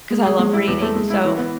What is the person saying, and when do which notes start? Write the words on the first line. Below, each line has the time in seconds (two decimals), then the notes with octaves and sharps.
'cause I love reading, so
0.11 G#3
0.25 G#4
0.39 G#3
0.53 E4
0.68 E2
0.82 A3
0.96 G#3
1.10 E4
1.25 E3
1.38 B3